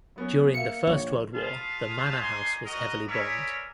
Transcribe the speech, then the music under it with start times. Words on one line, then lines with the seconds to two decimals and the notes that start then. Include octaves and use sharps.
During the First World War the manor house was heavily bombed.
0.16 F#3 B3 C#4
0.54 A#3 E5 F5 C#7
0.87 A#1 C#5
1.35 F4 G#4 B4 F5 A5
2.22 D4 D#4 F5 G#5 C6
2.66 F#4 A#4 D#5
3.08 G#4 A#4 B4 C#5 D5 E5